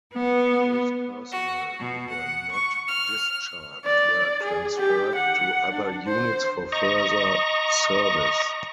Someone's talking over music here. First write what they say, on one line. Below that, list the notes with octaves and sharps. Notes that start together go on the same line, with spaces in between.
Those personnel who were not discharged were transferred to other units for further service.
B3
F#4
B2
F#5
C#6
F6
D5
G#4
G4
F#5
D4
C5
D#5 A#5 C#6